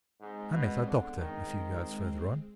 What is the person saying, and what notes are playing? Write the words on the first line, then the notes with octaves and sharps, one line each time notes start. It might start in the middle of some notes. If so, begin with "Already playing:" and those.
I met our doctor a few yards further on.
G#2 G#3 C4
B2
D3 B3 D4
D#3 G#3 C4
G#3 C4